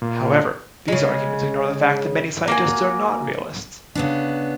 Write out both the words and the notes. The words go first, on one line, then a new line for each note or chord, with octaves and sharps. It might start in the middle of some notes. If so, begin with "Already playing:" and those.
However, these arguments ignore the fact that many scientists are not realists.
A#2
C#3 G#3
A#3 F#4 G#5
C#3 B3 D4